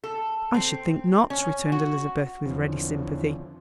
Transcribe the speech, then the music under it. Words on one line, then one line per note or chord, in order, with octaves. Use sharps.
"I should think not!" returned Elizabeth, with ready sympathy.
A4
C4
C#4
F#4
E2 D3 F3 C4 C#4